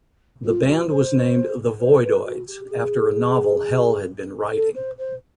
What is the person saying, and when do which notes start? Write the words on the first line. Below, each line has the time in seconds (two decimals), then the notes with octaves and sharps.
The band was named "the Voidoids" after a novel Hell had been writing.
0.45 F4
0.66 F#4
0.90 C5
1.80 C5
2.03 B4
2.26 F#4
2.48 G4
2.65 G4
2.71 G#4
4.53 A4
4.75 C5
4.98 C5